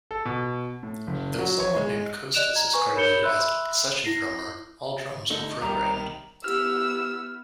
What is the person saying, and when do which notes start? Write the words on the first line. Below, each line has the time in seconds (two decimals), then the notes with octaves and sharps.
Though someone named "Kostas" is credited as a session drummer, all drums were programmed.
0.11 A4
0.25 B2
0.83 A2
1.07 F#1
1.39 F#3
1.60 C#5
1.76 G#3
2.34 D5 D#5 F#6 D7 E7 F7
2.55 A#5 G#6
2.74 B4 G#5 C#6
2.95 A#4 C#5 B5 G6 C#7 G7
3.23 E5 B5 C6 E6 F#6
4.05 E4 A#6 C7
5.30 D3 A3 D#4
5.61 C2 D#3 G3 A#5
6.44 B3 E4 G4 E6 F6